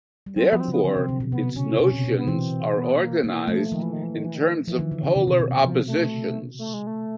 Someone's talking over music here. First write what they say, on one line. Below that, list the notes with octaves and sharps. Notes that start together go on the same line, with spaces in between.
Therefore, its notions are organized in terms of polar oppositions.
G3
F#3 C4
F3 B3
C4
C#3 B3
D3 C4
C3
C3
B2
C3 B3
C#3 C#4
C3 C#4
B2
B2
B3
E3 C4
B3
B3
A#3
A#3
F3 A3
D#3 F3
E3
D#3
E3
D#3
E3
D#3
E3 F3
D#3
D3
C#3
C3
B2
B2
B2
C3 F3
A3
A3
G#3
A3